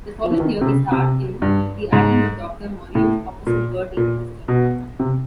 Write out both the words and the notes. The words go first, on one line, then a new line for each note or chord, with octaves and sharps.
The following year, he starred in "The Island of Doctor Moreau" opposite Burt Lancaster.
F3
E3
D#3
C3
C#3
C3
G2
G#2
A2
A#2
A#2
B2
C3